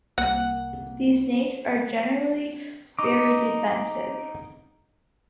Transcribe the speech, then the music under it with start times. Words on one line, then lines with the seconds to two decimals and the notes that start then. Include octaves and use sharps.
These snakes are generally very defensive.
0.18 C2 A#3 F#5
2.99 D#4 D6